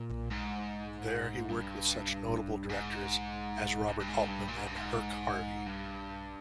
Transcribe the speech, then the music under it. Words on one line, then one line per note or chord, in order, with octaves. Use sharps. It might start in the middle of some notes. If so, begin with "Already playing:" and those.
There, he worked with such notable directors as Robert Altman and Herk Harvey.
Already playing: A#2
G#2
G2
G#2
G2
G2
G#2
G2
A#2
G#2
G2
G#2
G2